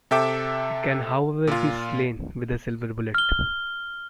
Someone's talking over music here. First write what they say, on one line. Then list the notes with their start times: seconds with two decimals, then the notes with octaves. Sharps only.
It can however, be slain with a silver bullet.
0.11 C3 A4 E5 G5 D6
1.47 A#2 F4
3.15 F6 G7